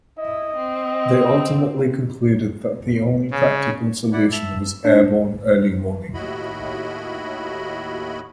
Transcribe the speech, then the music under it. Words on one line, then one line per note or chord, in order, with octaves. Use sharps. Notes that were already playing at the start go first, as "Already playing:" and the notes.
They ultimately concluded that the only practical solution was airborne early warning.
E4 D#5
C4
C#3
E4 D5 F#5
E5 A5
E6
D4
D#2 A2 E4 F#4 D#5 B5